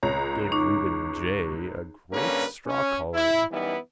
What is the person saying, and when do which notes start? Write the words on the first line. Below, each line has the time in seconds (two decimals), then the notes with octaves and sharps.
Gave Reuben J. a great strawcalling.
0.03 C#2 C#5 A#5
0.52 D#4 C#6 D6
2.12 G2 D3 A#3 C#4 A#4 B4
2.66 C#4
3.14 E4
3.51 F#2 E3 G3 B3 D#4 E4